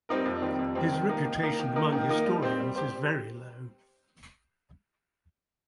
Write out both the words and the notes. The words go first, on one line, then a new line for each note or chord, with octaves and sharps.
His reputation among historians is very low.
G3 C4 D#4 A#4
F2
D#3 G3 C4
F2
D#3 G3 C4
D#3
A#3 D#4 A#4
D#3
A#3 D#4 A#4
D#3
A#3 D#4 A#4
D#3
A#3 D#4 A#4
G3
C4 G4 C5
G3
G4 C5